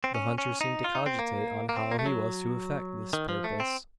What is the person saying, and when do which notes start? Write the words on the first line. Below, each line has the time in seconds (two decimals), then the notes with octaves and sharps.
The hunter seemed to cogitate on how he was to effect this purpose.
0.04 C4
0.15 C#4
0.38 C#4
0.61 D#4
0.84 F4
0.95 D#4
1.06 C4
1.19 A#3
1.69 A#3
1.76 C4
1.91 A#3
1.99 A3
2.06 F#3
3.13 D#3
3.29 F3
3.44 A3
3.60 C4